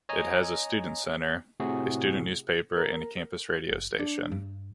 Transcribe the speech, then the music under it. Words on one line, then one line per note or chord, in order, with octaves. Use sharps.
It has a student centre, a student newspaper and a campus radio station.
C#5 D#5 G#5 A#5
A2 C3 F#4 G#4
A#4
F#1
D4
G2